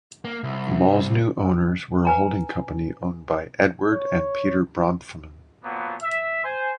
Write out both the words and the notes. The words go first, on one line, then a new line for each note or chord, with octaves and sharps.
The mall's new owners were a holding company owned by Edward and Peter Bronfman.
A#3
C2
B4 G#5 A#5
C#5
A#2 F3 F#3 A#3 B3
E5
C5 G#5